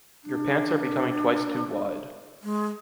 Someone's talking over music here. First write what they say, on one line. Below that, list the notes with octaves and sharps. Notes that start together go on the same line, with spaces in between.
Your pants are becoming twice to wide.
D4
G#3